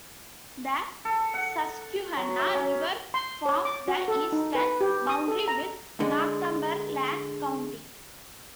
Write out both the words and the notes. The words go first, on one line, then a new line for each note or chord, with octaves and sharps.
The Susquehanna River forms the eastern boundary with Northumberland County.
A4
F#5
F#3
E5
C#4
C6
C#5
D6
F#4
A4
D#4
B4
G4
D#6
A4
A#5
D3 G#3